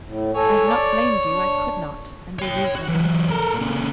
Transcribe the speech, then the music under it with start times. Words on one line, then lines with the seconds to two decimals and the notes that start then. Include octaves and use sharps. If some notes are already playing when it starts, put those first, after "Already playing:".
I have not blamed you, I could not--and be reasonable.
0.06 A2
0.35 A4 C#5 G#5
0.67 D5
1.31 D4
2.39 C#5 G5
2.76 F#4
2.89 E3 F#3
3.31 A4 A#4
3.54 A#2 C#3